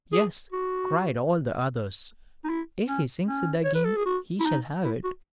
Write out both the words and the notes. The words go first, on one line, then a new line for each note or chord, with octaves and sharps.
"Yes," cried all the others, "if he sings it again, he shall have it."
G#4
F#4
D#4
E4
C#4
C#4
C#5
B4
A4
G#4
F#4
E4
D#4
E4
F#4